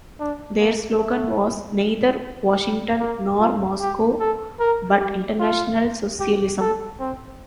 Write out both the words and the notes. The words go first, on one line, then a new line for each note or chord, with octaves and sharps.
Their slogan was "Neither Washington nor Moscow but International Socialism".
D4
A#3
A3
G3
A#3
F4
G4
A4
A#4
G4
F4
G4
A4
C4